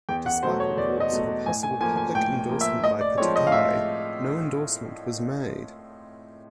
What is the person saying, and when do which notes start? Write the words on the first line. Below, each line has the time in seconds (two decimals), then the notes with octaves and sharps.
Despite reports of a possible public endorsement by Pataki, no endorsement was made.
0.09 E2 G5
0.26 F#5
0.43 B2 F#3 A3 C5
0.60 C#5
0.77 E2 D5
1.00 D#5
1.12 B2 F#3 A3
1.46 A2 G#5
1.63 G#5
1.81 F3 A#3 G#5
1.97 G#5
2.15 A2 G5
2.49 F3 A#3
2.61 E5
2.84 A2 D#5
3.01 D5
3.18 F3 G#3 C4 C#5
3.36 D#5
3.47 F5
3.52 A2 E5